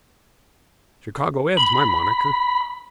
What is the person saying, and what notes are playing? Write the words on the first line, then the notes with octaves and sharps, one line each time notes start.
"Chicago Ed.'s my monaker."
B5